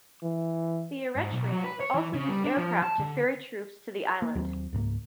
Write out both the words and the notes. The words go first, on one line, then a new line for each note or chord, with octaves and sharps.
The Eritreans also used aircraft to ferry troops to the island.
E3
G#2
B1
F#3
B4
C#5
E3
C#3
G3
D4
F3
A5
D3
A#3
D#2 F#3 B3 C4
C#2 G#2 A3 A#3